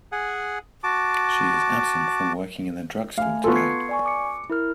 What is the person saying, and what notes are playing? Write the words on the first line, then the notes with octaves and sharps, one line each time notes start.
She is absent from working in the drug store today.
G#4 F#5 G#5
F#4 A5 D6
A3 F5 G#5
B3 F4 A4 C6 C#6
G#6 C7 C#7
D5 G#5 C#6
D6 C#7
E4 A#4 F6